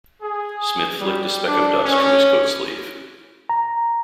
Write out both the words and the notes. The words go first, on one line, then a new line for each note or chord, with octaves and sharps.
Smith flicked a speck of dust from his coat sleeve.
G#4
G3
D4
C#4
A#5